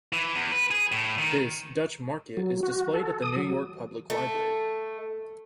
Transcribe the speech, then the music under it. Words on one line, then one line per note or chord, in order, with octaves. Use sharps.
His "Dutch Market" is displayed at the New York Public Library.
E3
E2
B4
G#4
A2
D#3
F#3
F#4
A4
D#6
F#3
A3